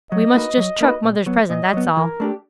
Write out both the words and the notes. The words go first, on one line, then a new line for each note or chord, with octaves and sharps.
We must just chuck mother's present, that's all.
F#3 D#5
A#3 D#4 F#4 B4
F#3
A#3 D#4 F#4 B4
A#2
F#3 B3
A#2 D#5
F#3 B3
E3 A#4
A3 D4 G4